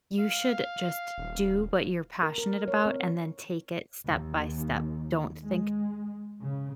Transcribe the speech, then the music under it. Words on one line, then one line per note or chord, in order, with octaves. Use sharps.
You should just do what you're passionate about, and then take it step by step. Don't think
F5
D#1
A#4
A#4
C#5
C4
D#2
G#3
C#3